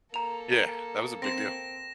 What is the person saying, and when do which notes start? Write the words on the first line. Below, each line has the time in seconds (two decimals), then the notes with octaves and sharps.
Yeah, that was a big deal.
0.14 A#3 A4 A#5 F7
1.22 C4 A#6 E7